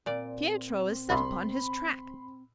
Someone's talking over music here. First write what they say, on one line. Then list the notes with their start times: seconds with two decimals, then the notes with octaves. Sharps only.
Pietro is set upon his track.
0.06 A#2 C4 D5
1.10 C2 C3 B5 C6